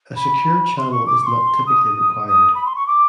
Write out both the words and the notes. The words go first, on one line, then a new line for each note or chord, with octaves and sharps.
A secure channel is not typically required.
B5
C6
C#6
D6
C#6
C6
D#6
D#6
B5
C6
C#6
D6